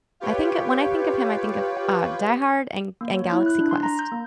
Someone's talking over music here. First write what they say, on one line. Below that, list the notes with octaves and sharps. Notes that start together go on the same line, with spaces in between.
I think when I think of him, I think of, uh, "Die Hard" and and "Galaxy Quest"
F4 G4 B4 C#5 G5
A#3
C#5
E4
F#6
D4
C6
A#5
G6
A#3